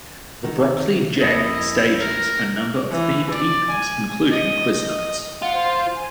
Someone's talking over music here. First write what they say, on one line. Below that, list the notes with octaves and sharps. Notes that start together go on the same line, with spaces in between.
The Brockley Jack stages a number of themed evenings including quiz nights.
D#3 A4 F#5
F2 A#3 E4 D#5
A#4
E3
D5
G#5
D#5
D#5
F4 F#5
C5
G#5